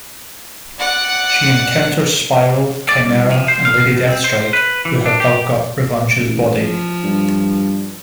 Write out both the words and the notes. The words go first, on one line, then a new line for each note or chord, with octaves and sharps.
She encounters Spiral, Chimera and Lady Deathstrike who have dug up Revanche's body.
D5 F#5
D5
C2
F3
C5
F5
B2
C4
C5
B4
E3
D4
G4
A1
F3
G2